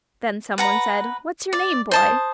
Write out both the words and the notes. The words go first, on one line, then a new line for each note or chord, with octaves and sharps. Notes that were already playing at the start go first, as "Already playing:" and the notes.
Then someone said, "What's your name, boy?"
B4 F#5 A#5
D5
C5 A5 D#6